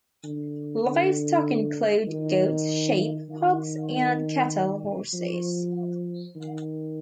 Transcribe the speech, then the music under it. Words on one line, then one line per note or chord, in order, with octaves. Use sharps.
Livestock include goats, sheep, hogs, and cattle, horses.
D3
D3
D#3
D#3
F3
D#3